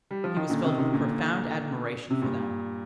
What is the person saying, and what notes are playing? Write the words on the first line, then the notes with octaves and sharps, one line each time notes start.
He was filled with profound admiration for them.
G3
F3
D#3
A#2 D3
C3 D#3
C3 D#3
A#2 D3
C3
G2 A#2